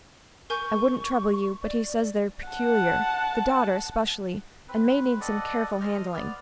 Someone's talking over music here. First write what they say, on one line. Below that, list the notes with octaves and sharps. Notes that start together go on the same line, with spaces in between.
I wouldn't trouble you, but he says they're peculiar--the daughter, especially--and may need some careful handling.
A#4 G#5 C#6 G6
D5
F#5 A5
C4 B4
A4 D5 D#5 F#5
C5 D#5 F6
B3 D5 F6